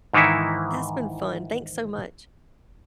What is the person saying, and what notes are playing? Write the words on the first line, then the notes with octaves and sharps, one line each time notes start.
that's been fun, thanks so much.
G#2 D#3 E3 D#4 E4